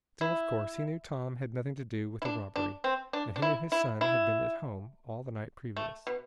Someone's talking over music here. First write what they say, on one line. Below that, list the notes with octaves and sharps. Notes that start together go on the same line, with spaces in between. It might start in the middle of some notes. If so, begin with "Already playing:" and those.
Still, of course, he knew Tom had nothing to do with the robbery, and he knew his son had been at home all the night previous.
E4
E4
D4
D4
C4
D4
D4
E4
E4
E4
A3
B2